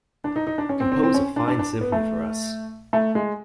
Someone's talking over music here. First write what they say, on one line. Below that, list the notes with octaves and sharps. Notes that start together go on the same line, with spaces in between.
Compose a fine symphony for us!
D4
D#4
D#4
D4
C#4
C4
C4
C4
C#4
D4
D4
D4
B3
A3
A3
G#3